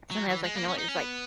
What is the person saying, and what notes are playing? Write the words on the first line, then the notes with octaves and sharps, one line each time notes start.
sometimes, like, you know, it's, like,
F#3
E3
G#3
A#3
C#4
D#4
C#4
B3